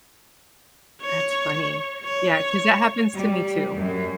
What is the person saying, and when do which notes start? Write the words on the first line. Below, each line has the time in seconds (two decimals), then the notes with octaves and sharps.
That's funny. Yeah, 'cause that happens to me too
1.01 C#5
2.04 C#5
3.14 G3
3.73 F#2